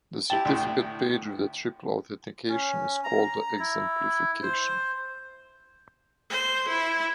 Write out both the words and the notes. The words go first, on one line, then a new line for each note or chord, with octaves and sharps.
The certificate page with the triple authentication is called the exemplification.
E4 G4 G5 A5
D2 A2
C#4
A#5
E4
C5
C5
E4